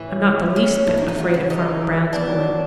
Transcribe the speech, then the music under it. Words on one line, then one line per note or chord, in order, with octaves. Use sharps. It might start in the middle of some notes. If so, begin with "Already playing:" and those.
I'm not the least bit afraid of Farmer Brown's boy.
Already playing: A2 E3
C#4
C#4
C#4
F#3 C#4
C#4
A2 A3
A#3
A2
D#4
F#3 F4
C#3 E4
D#4 E4
E4
E4
E4
B3 D4
F#3
F#3